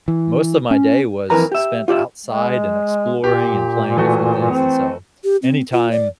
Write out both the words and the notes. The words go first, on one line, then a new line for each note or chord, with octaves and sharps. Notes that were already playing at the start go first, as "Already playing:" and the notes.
most of my day was spent outside and exploring and playing different things, and so, anytime
E3
C#4
F2 E3 A#4 B4 A#5
G4 E5
F4 G4 D5 E5
G#3
A#2 G4
E3 A3 F#4
C4
G4
C4
F4
D5